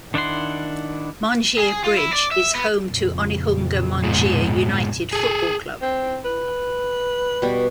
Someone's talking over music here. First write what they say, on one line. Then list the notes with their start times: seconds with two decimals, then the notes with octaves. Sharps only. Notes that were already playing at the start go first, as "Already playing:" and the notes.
Mangere Bridge is home to Onehunga-Mangere United football club.
0.14 D#3 D4 E4 F#5 C6
1.58 G#4
1.84 F4
1.97 E4
2.13 D5
2.31 E5
2.55 B3
2.88 F2 A#2 C#3
4.04 G#2 B2
5.13 G#4 A4
5.82 C4
6.25 B4
7.42 B2 G3